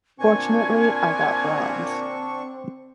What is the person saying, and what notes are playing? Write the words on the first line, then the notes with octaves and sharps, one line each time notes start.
Fortunately I got bronze...
A#2 D3 C4 D4 G#5 C#6